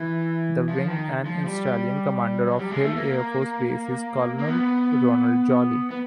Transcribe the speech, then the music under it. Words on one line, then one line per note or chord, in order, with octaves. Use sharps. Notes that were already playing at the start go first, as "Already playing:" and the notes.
The Wing and Installation Commander of Hill Air Force Base is Colonel Ronald Jolly.
Already playing: E3
F3
D#3
F3
G3
F#3
G3
G#3
A3
A#3
A#3
B3
B3